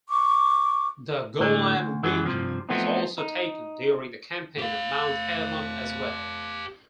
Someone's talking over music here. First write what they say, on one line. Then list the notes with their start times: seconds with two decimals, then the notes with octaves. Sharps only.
The Golan region was also taken during the campaign and Mount Hermon as well.
0.08 C#6 D6
1.39 A2 D3
1.76 D2
2.03 F#2 E3 F#3 G#3
2.25 G2 C3 F3
2.69 F3 F#3 A3 B3 C4 D#4
3.18 D#4
4.58 G4 F5